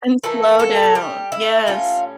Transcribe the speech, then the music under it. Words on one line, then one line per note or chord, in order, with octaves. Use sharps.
And slow down. Yes.
E3 A3 A#3 E4 A4
A3 A4
G3 G4
E4
A2 G3 C#4 F4